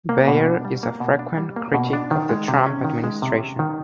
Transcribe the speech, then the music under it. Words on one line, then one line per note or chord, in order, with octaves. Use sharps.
Beyer is a frequent critic of the Trump administration.
A#3
B2
D4
G3
A#3
B2
D4
G3
A#3
B2
D4
D#3
G#3
C3
C#4
D#3
G#3
C3
C#4
D#3